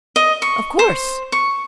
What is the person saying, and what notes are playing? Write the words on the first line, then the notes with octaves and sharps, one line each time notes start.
"Of course."
D#5
C#6
C5
C#6